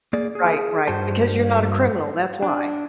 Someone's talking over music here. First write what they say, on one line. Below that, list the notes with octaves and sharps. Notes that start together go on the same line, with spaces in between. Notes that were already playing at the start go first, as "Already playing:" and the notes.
Right, right, because you're not a criminal, that's why.
A#3 G#4 D5
G#4
G2 F#4 C5 A5
D4